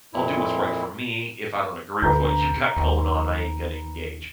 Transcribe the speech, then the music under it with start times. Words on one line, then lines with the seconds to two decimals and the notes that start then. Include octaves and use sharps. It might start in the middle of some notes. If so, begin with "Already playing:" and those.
"I'll do what's right for me; if I don't agree with what you got going on, I ain't gonna engage."
0.13 F2 A#2 E4
2.02 D2 B4 A#5 G6
2.77 D#2